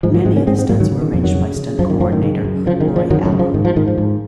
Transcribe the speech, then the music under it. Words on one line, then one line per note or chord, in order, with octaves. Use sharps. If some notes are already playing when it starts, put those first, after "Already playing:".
Many of the stunts were arranged by Stunt coordinator Roy Alon.
G#2 F3 G#3
F#3 A#3
G#2 G#3 C4
A#3 C#4
G#2 G#3 C4
G#3 C4
G#2 F#3 A#3
D#3 F#3
C#3
D#3
F2 F3
D#3 F#3
C#3
C#3
F#2 F3
D#3
F#2 F3
D#3
C#3
F#2
C#3 F3
D#3
C#3
F3
F#2 D#3 F#3
D#3 F#3
C#3
F3
G#2 D#3
F3
G#2 D#3
F3
G#2